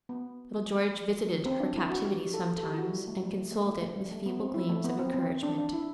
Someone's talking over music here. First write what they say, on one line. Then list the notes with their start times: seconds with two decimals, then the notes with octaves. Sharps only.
Little George visited her captivity sometimes and consoled it with feeble gleams of encouragement.
0.09 B3
1.46 C4
1.60 D4
1.76 E4
1.90 F#4
2.05 G4
2.34 A4
2.58 A4
2.63 G4
2.74 E4
2.78 F#4
2.93 G3
3.08 A3
3.23 G3
3.37 A3
3.52 A3
3.66 A3
3.82 A3
3.96 G3
4.11 A3
4.26 B3
4.40 C4
4.54 E4
4.69 A3
4.84 B3
4.99 C4
5.14 C4
5.43 D4
5.58 D4
5.73 E4